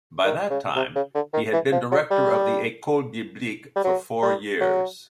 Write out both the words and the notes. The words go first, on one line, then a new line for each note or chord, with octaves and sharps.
By that time he had been director of the Ecole Biblique for four years.
D#3
C#3
C3
C#3
D3
D#3
E3
F3
F#3
G3
G3
F#3
G3
F#3